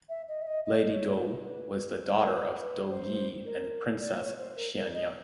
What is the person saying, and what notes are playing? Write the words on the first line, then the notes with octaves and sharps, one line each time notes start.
Lady Dou was the daughter of Dou Yi and Princess Xiangyang.
E5
D#5
E5
D#5
D#5
D5
D#5
C#5
B4
A#4
B4
B4
C5
A#4
D5
C#5
C5
A#4
A#4
D#5